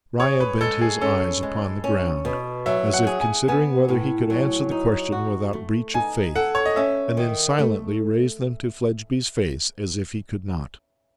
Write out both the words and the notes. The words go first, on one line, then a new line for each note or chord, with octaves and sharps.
Riah bent his eyes upon the ground, as if considering whether he could answer the question without breach of faith, and then silently raised them to Fledgeby's face, as if he could not.
G#4 C#5
B4
G#3 A4
G#4
C#4 A4
G#3
C#4
B2
F#3 E5
F#5
G#4
G#5
B3 G#5
A2
F#3
D#4
F#4
A3
D#4 G#5
A4 F#5
C#5
D#5
C#4 E5
D#3
A3